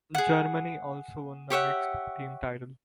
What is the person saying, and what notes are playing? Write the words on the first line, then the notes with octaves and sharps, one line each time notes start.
Germany also won the mixed team title.
G#4 F#5
G4 C#5 E5 F#5